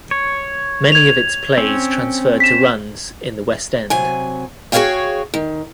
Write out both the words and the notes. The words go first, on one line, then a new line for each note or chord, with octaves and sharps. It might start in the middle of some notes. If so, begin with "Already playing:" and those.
Many of its plays transferred to runs in the West End.
C#5
G#6 F7
C4 C#4
B6 E7
C3 F#3 G#5
F#4 G#4 B4 C#5 F5 G5
D#3